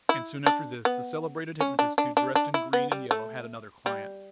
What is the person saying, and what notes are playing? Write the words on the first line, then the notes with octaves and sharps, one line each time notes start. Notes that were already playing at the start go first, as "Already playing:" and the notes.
And soon after this the celebrated hypnotist who dressed in green and yellow had another client.
E4
D4
B3
C#4
D4
D4
D4
D4
E4
B3
G3
A3
G3